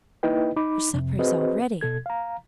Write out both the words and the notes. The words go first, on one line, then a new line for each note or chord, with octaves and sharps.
Your supper is all ready.
A#3 D#4 E4 B4 D#5 G5
D#4 B5 D6
F2 C3
C4 F#4 G#4 B4 C5 D#5
B2 A4 G#6
F5 A#5